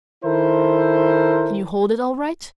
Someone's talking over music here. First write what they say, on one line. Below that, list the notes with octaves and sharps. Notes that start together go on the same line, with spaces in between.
"Can you hold it all right?"
D#3 E4 A4 A#4 C5